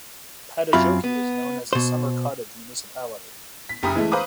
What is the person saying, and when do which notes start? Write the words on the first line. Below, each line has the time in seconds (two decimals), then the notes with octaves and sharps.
Padasjoki is known as a summer cottage municipality.
0.73 F#2 C4 F4 E5 B5
1.04 B3
1.73 B2 C5
3.69 B6
3.83 F#1 G4 A#5 B5 D#6
3.95 E3 G#3 A3
4.12 B4 C5 F5 A#5 D6 D#6